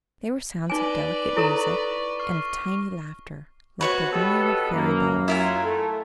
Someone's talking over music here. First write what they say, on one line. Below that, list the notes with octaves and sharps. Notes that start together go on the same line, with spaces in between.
They were sounds of delicate music and of tiny laughter, like the ringing of fairy bells.
D#4 B4 D5 G#5 D6 A#6 G7
E4 A4 A#5 C#6 D6
C#6 F6 C7
C3 F#4 B4 C#5 C#6
B2 B3 G4 A4
F#2 A#3
F#3 E4 F4 A#4 G#5
A3 A4